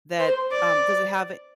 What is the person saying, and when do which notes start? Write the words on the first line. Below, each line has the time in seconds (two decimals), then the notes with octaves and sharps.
that um, does it have
0.19 C5
0.51 D5